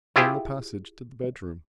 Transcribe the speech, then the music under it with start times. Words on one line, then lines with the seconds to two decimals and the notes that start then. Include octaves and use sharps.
Down the passage to the bedroom.
0.16 E4 F4 G4 G#4